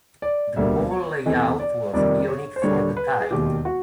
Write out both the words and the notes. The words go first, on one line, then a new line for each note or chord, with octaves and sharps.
The mall layout was unique for the time.
D5
E1 D2 D3 G3 A#3 E5
C#5
E2 C3 E3 A3 D#5
D5
F2 C3 D#3 G3 A#3 D5
C#5
C5
D#2 D3 G3 A#3 C#5
B4
G#4
E1 D#2 D#3 G4
F#4